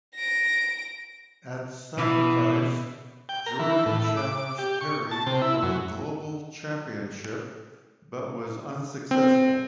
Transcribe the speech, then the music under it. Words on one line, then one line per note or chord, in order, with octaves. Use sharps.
At Sacrifice Jordan challenged Terry for the Global Championship, but was unsuccessful.
A#6 D7
B2 E3
G5
A#4
E3
A2
E4
D6
G4
C#6
A5
C3
E4
F#2
C4